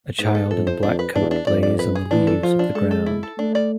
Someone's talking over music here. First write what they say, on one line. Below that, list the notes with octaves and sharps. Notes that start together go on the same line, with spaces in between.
A child in a black coat lays on the leaves on the ground.
G#2 B3
A4
F2 A4
C5
F2 D4
B4
E2 D4
D4
F2 D5
D5
B4
G#4
E3 D4
A4
F3 F4
D4
G#3 A4
A4
E4
A4
A3 D4
D5